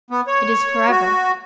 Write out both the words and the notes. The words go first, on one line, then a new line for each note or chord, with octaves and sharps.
It is for ever.
B3
C#5
F#4